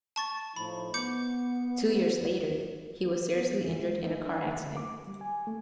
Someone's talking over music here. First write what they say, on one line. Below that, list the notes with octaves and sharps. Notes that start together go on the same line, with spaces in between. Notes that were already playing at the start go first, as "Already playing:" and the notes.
Two years later, he was seriously injured in a car accident.
A5 C#6 A6
A2 F3 D#4 B5
B3 D6 G6 C#7
B3
E3
G#3
D#4
D4
D3
D6
G3
G#5
A3